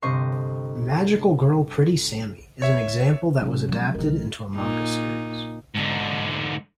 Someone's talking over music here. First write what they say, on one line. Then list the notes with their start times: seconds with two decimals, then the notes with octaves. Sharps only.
"Magical Girl Pretty Sammy" is an example that was adapted into a manga series.
0.02 G1 C3 C5 D#5 C#6 C7
2.62 C#5 E5
3.42 G#2 C3 F#3 C#4
3.69 F3 F#3 G#3
3.95 B1 D#3 A#4
4.56 A#2 D#4
5.75 G#2 D3